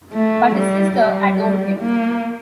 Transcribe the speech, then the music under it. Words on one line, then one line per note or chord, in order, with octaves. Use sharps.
But his sister adored him.
A3
G3
G3
A#3